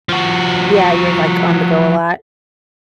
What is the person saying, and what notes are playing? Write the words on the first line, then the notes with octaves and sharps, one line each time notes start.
Yeah, you're, like, on-the-go a lot?
F3 F#4